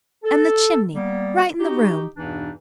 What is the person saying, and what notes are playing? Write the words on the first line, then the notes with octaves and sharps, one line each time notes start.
And the chimney right in the room!
A4
G3 A#3 B3
D#4 F#4 G4
E2 G2 B2 E3 D4 D#4